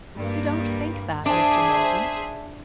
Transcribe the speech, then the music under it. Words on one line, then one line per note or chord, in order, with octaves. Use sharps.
"You don't think that, Mr. Morton."
G2 G3 A#3
D4 G#4 C5 E5